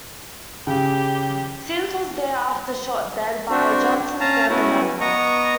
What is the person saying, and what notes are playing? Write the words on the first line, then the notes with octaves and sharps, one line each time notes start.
Sims was thereafter shot dead by a Johnson family member.
C#3 G4
C4 D4 F#4
C#4 F5 A5 A#5
B3 C#4 E4 F#4
B3 D#5 A#5 C#6